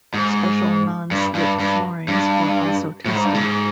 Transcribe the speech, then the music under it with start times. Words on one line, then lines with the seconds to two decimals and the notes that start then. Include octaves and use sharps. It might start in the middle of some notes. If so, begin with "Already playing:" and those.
Special non slip floorings were also tested.
0.14 G#2
1.11 G2
1.35 G2
1.60 G2
2.08 G2
3.06 A2
3.15 G#2
3.25 G2
3.35 G#2